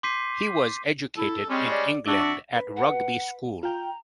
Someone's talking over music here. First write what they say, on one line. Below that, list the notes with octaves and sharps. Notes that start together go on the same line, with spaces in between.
He was educated in England at Rugby School.
C6 D6 G6 B6 C7 D#7
E4 A4
G3 G#3 C4 C#4
D5
D4 F#4 D5 E5
B4
F#5
F4 G5 A#5